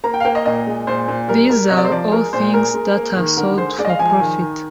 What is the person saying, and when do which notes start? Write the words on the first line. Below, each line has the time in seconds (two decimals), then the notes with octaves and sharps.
These are all things that are sold for profit.
0.04 A#3 A#5
0.14 G5
0.20 F5
0.25 A#3 G5
0.35 D#5
0.45 A#2 D#5
0.67 G#3
0.87 A#2 C5
1.08 A#2
1.28 G3 A#4
1.49 G3 A#4
1.70 C3 D#5
1.77 D5
1.84 C5
1.91 F3 D5
2.12 G#3 A#4
2.33 A#2 C5
2.54 G#3 A#4
2.74 G#3
2.96 A#3
3.16 D#3
3.37 D3 A#4
3.58 G#3 C5
3.78 G#3 D5
3.85 D#5
3.89 F5
3.99 F3 G#5
4.10 G#5
4.20 D#3
4.41 D#3